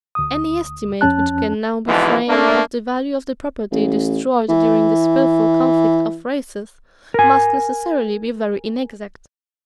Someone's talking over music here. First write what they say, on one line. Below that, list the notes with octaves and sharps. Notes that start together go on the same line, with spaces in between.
Any estimate which can now be framed of the value of the property destroyed during this fearful conflict of races must necessarily be very inexact.
D2 D#6
F2 C#4 A5 F#6
F2 G#2 B2 D3 E3 F3
A3 A#3 D4
A1
E3
A#4 G#5